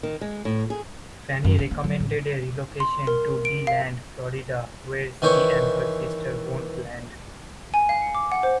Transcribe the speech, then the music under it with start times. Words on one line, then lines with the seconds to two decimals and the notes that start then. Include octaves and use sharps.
Fannie recommended a relocation to DeLand, Florida, where she and her sister owned land.
0.03 D#3
0.21 G#3
0.45 A2
0.70 G#4
1.44 F#2
1.59 C#4
1.71 A#3
1.84 F#3
2.00 A1
2.80 C6
3.07 A#4
3.45 D7
3.67 F5
5.22 D#3 E3 C5 C#5
7.74 G#5
7.89 F5
8.02 C#7
8.15 D6
8.32 F#5
8.43 C5